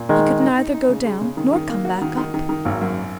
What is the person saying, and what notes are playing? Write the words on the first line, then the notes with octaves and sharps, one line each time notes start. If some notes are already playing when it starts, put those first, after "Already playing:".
He could neither go down nor come back up.
Already playing: A#2
D#3 G#3 D#4
D#4
D#4
D#4
D#4
C#3
G#3
C#3
D#3
D#3
A#3
F#4
D#3
D#3
D#3
D#3
G#1 F#3 A#3
F#2